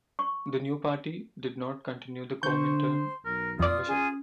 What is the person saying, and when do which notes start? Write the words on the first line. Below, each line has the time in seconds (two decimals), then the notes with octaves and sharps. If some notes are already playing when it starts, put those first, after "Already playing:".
The new party did not continue the Comintern membership.
0.19 C#6
2.43 D3 C5 C#6 G6
2.91 C6
3.25 B1 A#4
3.60 F2 F4 D5 D#6
3.88 C#4 G#4